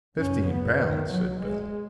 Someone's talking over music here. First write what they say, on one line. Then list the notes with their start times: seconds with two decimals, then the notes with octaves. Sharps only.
"Fifteen pounds!" said Bell.
0.17 F#2 C#3 C#4
0.48 B3
0.80 D#3
1.12 F#3
1.42 G#3